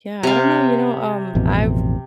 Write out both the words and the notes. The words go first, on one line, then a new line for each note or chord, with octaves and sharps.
Yeah, I don't know, you know, um, I've
C3 F5
A1 F2 B2